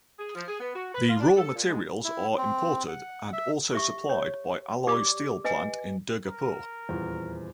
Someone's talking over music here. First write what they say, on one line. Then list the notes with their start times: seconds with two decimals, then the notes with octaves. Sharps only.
The raw materials are imported and also supplied by Alloy Steel Plant in Durgapur.
0.18 G#4
0.35 F3
0.48 G#4
0.60 B3
0.74 F#4
0.94 B4
1.09 F4
1.20 D4
1.37 A4
1.55 A#2
1.67 G#3
2.04 E4
2.38 C4
2.88 F#5
3.33 E5
3.73 G4 E5 C#6
4.09 C#5
4.87 G4 D5 D6
5.44 B4 D#5 F#5 G#5
6.25 A#4
6.89 D#1 E2 F4